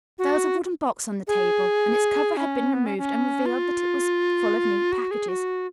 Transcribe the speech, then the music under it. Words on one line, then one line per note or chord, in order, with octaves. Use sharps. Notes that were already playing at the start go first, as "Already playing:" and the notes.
There was a wooden box on the table and its cover had been removed and revealed that it was full of neat packages.
F#4
G#4
C#4
B3
C#4
C#4
F4
F#4
G#4
F#4